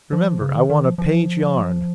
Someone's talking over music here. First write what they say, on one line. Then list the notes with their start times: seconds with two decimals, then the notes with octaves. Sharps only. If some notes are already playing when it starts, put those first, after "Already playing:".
Remember, I want a page yarn.
0.13 F3
0.41 C#3
0.55 D#3
0.70 D#3
0.84 F3
0.98 F3